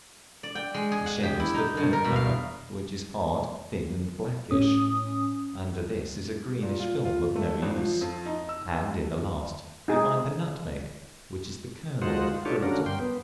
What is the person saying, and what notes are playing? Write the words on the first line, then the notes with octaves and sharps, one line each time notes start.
The shell is the third cover, which is hard, thin, and blackish; under this is a greenish film of no use; and in the last you find the nutmeg, which is the kernel of the fruit.
D5
G5
G#3
G#4
F#5
G4
E4
D#4
G2
A#4
B2
F5
A2 C#4 D#6
A#2
F4
F4
A3
G#1
F3
F2
D#4
E6
D#4 G#4
G#3 D#4 F4 F#4 C5 F#5
D4 D#4 F4 G4 A4 C#5
D3 A#3 C#4 D4 F#4 A#4
G2 G5 C6
B3